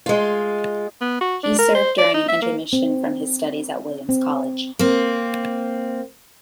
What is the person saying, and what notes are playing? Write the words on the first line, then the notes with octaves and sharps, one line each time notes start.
He served during an intermission from his studies at Williams College.
G#3 F4
B3
F#4
D4
A#4
C5
D5
D#4
E5
A#3
C4
C4
A#3 C4